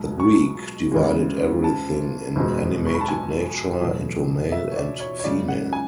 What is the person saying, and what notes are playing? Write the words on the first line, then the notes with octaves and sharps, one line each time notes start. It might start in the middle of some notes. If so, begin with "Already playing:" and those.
The Greek divided everything in animated nature into male and female.
Already playing: B1 B2 G#3
C#6
D2 C#3 E3 G#3
A5
F#1 E2 B2 G#3
C#6
B5
A5
G#5
E2 B2 F#3 A3
E5
C#5
D5
C#5
C#5
F#2 C#3 G#3 D5
F#5
G#5